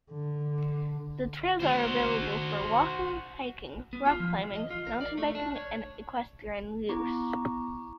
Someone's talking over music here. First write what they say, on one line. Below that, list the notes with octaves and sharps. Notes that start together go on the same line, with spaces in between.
The trails are available for walking, hiking, rock climbing, mountain biking and equestrian use.
D3
F#4 C5
B3
F4
F3
E3
D#5
F4
A#4
D5
A3
D4
C#5
B3 E4 A#5 C#6 D6